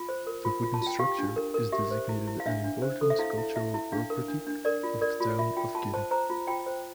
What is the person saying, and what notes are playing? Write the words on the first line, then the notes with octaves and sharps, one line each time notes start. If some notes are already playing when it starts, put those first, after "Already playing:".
The wooden structure is designated an important cultural property by the Town of Kin.
Already playing: F4
C5
A#4
F4
F4
A5
F4
G5
G4 F5
D4
A#4
A#4
G4 E5
C5
E4
E4
F5
D4 E5
D4
C5
A4
E5
E4 F5
E4
E4 E5
E4
D4 F5
A#4
D4
D4
A#4 D5
F4
A#4 D5
F4
F4 E5
F4 G5
F4 A5
C5 A5
C5 A#5
F4
F4 G5
C5